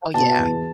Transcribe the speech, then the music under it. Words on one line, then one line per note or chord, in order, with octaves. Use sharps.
Oh, yeah.
B2 A5
E2